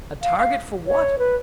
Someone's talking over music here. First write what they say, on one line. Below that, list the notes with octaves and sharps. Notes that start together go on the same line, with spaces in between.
A target for what?...
F5
F5
C#5
B4